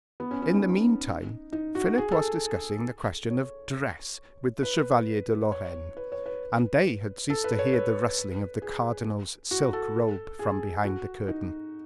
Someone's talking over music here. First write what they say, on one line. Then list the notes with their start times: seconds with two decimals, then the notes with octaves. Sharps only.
In the meantime Philip was discussing the questions of dress with the Chevalier de Lorraine, and they had ceased to hear the rustling of the cardinal's silk robe from behind the curtain.
0.20 B3
0.31 C#4
0.42 C#4
0.53 D#4
1.52 D#4
1.75 F#4
1.98 G#4
2.11 A4
3.30 C#5
4.63 B4
5.52 C#5
5.97 B4
6.12 C#5
6.26 B4
7.30 A4
7.44 B4
7.59 C#5
7.73 B4
8.62 G#4
9.51 F#4
9.73 A4
10.39 G#4
10.84 F#4
11.28 D#4